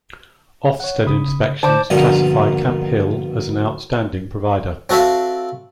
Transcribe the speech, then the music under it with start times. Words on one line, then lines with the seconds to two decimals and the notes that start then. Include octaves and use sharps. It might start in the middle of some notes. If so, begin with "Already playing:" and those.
Ofsted inspections classify Camp Hill as an Outstanding Provider.
0.80 C#5 F#5
1.06 C#3 B5 D#6
1.63 D3 C5 D5 A5 D6
1.90 A#1 G2 B2 D3 A#3 D#4
4.89 C4 F#4 A4 E5 F5